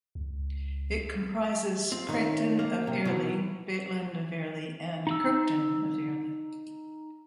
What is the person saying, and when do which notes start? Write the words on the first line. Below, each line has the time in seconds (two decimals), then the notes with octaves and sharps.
It comprises Craigton of Airlie, Baitland of Airlie and Kirkton of Airlie.
0.15 C#2
1.92 C4 F4
2.09 D#3 C#4
2.59 A#3
2.87 C3
3.05 B2 E3 F#3
5.07 D#4 E6